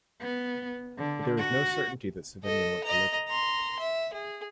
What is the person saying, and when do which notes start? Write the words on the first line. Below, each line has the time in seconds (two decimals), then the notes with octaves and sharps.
But there is no certainty that Savinien went to live with them.
0.21 B3
0.98 D3
1.38 F#4
2.43 A4 D#5
2.84 D#5 A#5
3.28 A#5 C6
3.79 E5
4.13 G#4